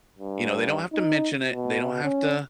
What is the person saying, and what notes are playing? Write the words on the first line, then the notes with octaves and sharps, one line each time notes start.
you know, they don't have to mention it, they don't have to
G2
D#4
B2
C#4